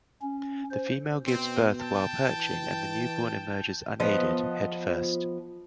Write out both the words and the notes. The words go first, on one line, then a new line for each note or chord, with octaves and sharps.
The female gives birth while perching and the newborn emerges unaided, head first.
C#4
C5
B2 C4
G5 A5
E3
F3 B3 D#5